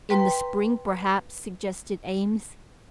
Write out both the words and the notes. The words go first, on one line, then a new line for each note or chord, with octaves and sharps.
"In the spring, perhaps," suggested Eames.
B4 G5 A#5 C6